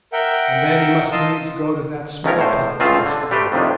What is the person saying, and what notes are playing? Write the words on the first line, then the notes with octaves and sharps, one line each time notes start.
And then he must needs go to that smallpox hospital.
A#4 E5 F#5 G5
D#5 F5 A5 C6 D#6 E6
C#2 D#3 A3 C#4 A#4 C#5
E2 A2 C5
C#2 A3 C4 F4 G#4 A5
D3
G3 A3 G4 B4 C5
F2 A2 C3 D#3 D4